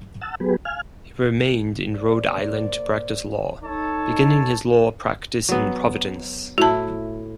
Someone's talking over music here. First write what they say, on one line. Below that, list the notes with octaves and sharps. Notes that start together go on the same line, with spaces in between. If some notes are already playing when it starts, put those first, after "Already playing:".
He remained in Rhode Island to practice law, beginning his law practice in Providence.
F#5 A5 E6
F#3 B3 G4 G#4 B4
F5 G#5 F6
A#3 C5 D5
D#4 A4 C#5 A5
F#3 B3
A2 E4 F#4 A5